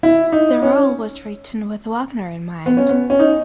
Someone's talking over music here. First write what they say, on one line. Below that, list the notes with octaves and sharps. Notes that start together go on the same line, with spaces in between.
The role was written with Wagner in mind.
E4
D#4
C#4
B3
C#4
B3
C#4
D#4